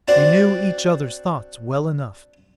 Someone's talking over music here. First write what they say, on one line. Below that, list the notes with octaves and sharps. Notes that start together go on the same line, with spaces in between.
We knew each others thoughts well enough.
C4 D4 F#4 C5 D5